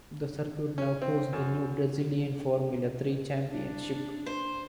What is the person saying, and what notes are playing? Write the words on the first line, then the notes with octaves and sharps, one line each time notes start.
The circuit now host the new Brazilian Formula Three Championship.
C#4
C4
F#2
D4
C5